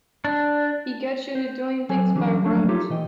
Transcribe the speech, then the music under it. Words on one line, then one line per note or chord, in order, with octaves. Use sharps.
He gets you into doing things by rote.
D4
C5
F#3 C4 A4 G#5
D3 E3 F#3 G3 C#4
F3 F#3 A3 A#3 D4 C#5
D#4 F4 G4 A4 C#5
B2 E3 D#5 G5